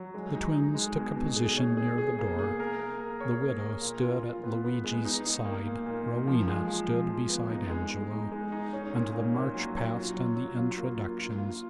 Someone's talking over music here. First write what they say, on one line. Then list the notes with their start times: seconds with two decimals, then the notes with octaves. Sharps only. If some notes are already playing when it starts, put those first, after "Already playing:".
The twins took a position near the door, the widow stood at Luigi's side, Rowena stood beside Angelo, and the march-past and the introductions began.
Already playing: F#3
0.14 G#3
0.35 D#4
0.55 D#4
0.75 G#3
0.96 B2
1.16 B2
1.36 G#4
1.57 C#5
1.77 G#4
1.98 G#4
2.19 A#3
2.39 G#4
2.60 A#4
2.80 A#3
3.00 A#4
3.20 C#5
3.42 A#4
3.61 A#4
3.82 A#2
4.02 F4
4.23 F4
4.43 B3
4.64 B3
4.84 G#3
5.05 D#4
5.25 D#4
5.45 A#3
5.66 A#2
5.86 A#2
6.07 A#2
6.27 F3
6.47 G#3
6.68 F3
6.89 F3
7.09 F3
7.30 B3
7.50 D#4
7.70 G#3
7.91 G#3
8.11 D#4
8.32 G#3
8.52 D#4
8.73 C#4
8.93 A#2
9.14 A#2
9.34 A#2
9.54 F#3
9.75 F#3
9.96 F4
10.17 F#3
10.36 F#3
10.57 F4
10.77 A#3
10.98 F4
11.18 F4
11.38 F4